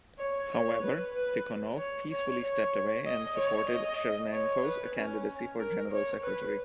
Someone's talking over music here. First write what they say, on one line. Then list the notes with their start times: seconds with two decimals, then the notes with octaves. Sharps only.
However, Tikhonov peacefully stepped away, and supported Chernenko's candidacy for General Secretary.
0.18 C#5
0.51 C#5
0.82 B4
1.14 B4
1.77 C#5
2.10 C#5
2.41 C#5
3.05 D#5
3.37 C#5
3.68 D#5
4.32 C#5
4.64 B4
4.96 C#4
5.60 A#4
5.91 C#5
6.24 B4